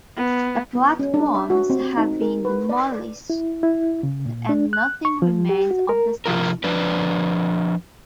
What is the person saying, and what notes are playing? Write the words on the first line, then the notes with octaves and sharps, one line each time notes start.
The platforms have been demolished and nothing remains of the station.
B3
B3
C#4
D4
E5
F#4
C4
D#4
A#4
B4
D5
D5
E4
E4
C#3
A#2
D4
F#6
C#6
F3
G4
F#4
A#4
C3 F3 F4 A#4
F3 D4 B4 D5